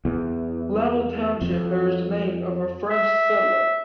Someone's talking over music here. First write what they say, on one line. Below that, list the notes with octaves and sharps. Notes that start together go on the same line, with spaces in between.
Lavell Township bears the name of a French settler.
E2
F2
E5